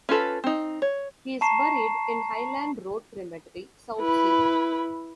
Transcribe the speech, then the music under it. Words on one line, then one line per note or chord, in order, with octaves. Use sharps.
He is buried in Highland Road Cemetery, Southsea.
C#4 F4 A4 B4
C4 D#4
C#5
A5 A#5 C#6 C7 E7
E4 B4